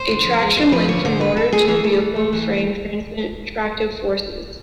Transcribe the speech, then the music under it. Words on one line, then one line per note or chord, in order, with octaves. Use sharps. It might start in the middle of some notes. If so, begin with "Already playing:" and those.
A traction link from motor to the vehicle frame transmits tractive forces.
Already playing: C5
D3
F3
G#3
F2 C5
F3 B4
D3 C#5
D3 C5
A3 B4
A3 A4
A3 G#4
E3 G#4
E3 A4
E3
A3
E3